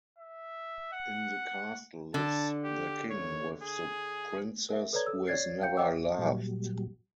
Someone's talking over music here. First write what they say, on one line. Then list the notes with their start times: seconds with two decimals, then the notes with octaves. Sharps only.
In the castle lives the King with the Princess who has never laughed.
0.18 E5
0.93 F#5
2.14 D3 A5
2.64 G4
3.10 C#5
3.62 G#4
4.69 A#4 E5
4.93 A4 B4 C#5 D5 A#5 G#6
5.06 A4 E6
5.27 C#5 D5 G#6 A6 C7
5.62 F5 G5 G6 C#7
5.77 C#5 D#5 F#5 G5 D6 E6
6.18 A#2 F#3 G3